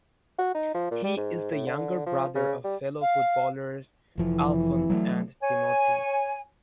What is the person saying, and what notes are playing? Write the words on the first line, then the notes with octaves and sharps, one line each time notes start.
He is the younger brother of fellow footballers Alfons and Timothy.
F#4
D#4
F3
A#2
G3
G#2
A2
D3
F3
C#3
G3
F5
F1 E3 F3
F#3 G3 A3
C#5 G#5